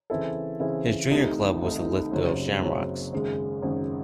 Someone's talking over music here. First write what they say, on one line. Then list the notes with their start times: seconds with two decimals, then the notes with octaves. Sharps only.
His junior club was the Lithgow Shamrocks.
0.10 C#3 E3 C4 E4 A4
0.60 C#3 E3 C4 E4 A4
1.10 C2 C3 D#3 A3 D#4
1.62 C2 C3 D#3 A3 D#4
2.11 F#1 F#2 C#3 F#3 C4
2.62 F#1 F#2 C#3 F#3 C4
3.13 G#1 F#2 C#3 G#3
3.62 G#1 F#2 C#3 G#3